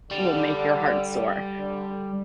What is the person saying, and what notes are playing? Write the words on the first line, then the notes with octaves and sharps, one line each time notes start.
will make your heart soar,
D3 G3
D3